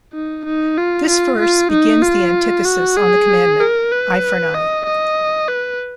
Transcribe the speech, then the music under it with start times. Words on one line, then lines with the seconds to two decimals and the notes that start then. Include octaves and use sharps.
This verse begins the antithesis on the commandment: "Eye for an eye".
0.14 D#4
0.45 D#4
0.77 F4
1.08 F4
1.39 F4
1.72 D#4
2.02 F4
2.65 F#4
2.97 G#4
3.61 A#4
3.92 B4
4.54 D#5
4.86 D#5
5.48 B4